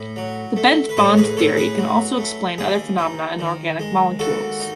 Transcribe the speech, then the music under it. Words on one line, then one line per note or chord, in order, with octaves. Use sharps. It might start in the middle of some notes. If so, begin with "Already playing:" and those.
The bent bond theory can also explain other phenomena in organic molecules.
Already playing: A2
F#3
A3
B4
A2 A4 C#5
G#4 B4
A2 A4 C#5
G#4 B4
F#3
A3
D#2 G#4
D#4
D#3
G#3
D#2 F#4 A4
D#4